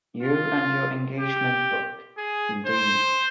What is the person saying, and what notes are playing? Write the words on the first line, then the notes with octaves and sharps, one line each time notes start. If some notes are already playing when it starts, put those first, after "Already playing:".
You and your engagement book, indeed.
F4
G4
G#4
C5